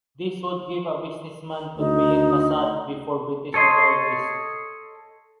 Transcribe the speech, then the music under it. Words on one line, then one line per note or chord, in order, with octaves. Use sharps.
This would give a businessman "convenient facade" before British Authorities.
D2 D#4
A4 C#5 D#5 C6